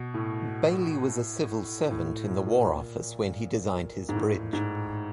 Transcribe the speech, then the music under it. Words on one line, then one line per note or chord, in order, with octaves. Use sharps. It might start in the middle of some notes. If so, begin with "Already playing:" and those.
Bailey was a civil servant in the War Office when he designed his bridge.
Already playing: B2
A2
A2
A2
A#2
G#2
A2
G#2